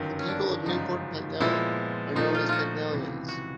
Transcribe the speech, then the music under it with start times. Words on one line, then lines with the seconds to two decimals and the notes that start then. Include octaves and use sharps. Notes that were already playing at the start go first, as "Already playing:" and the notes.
The people of Newport Pagnell are known as Pagnellions.
Already playing: G1 F#2 D#3
0.19 C#4
0.28 D4
0.65 G1 F#2 C#3 F3 G#3 D#4
1.40 A#2 F3 G#3 B3 E4
2.15 A#2 F3 A3 D#4
2.35 F4
2.49 F4 F#4
2.91 C#2 C3 E3
3.28 F#4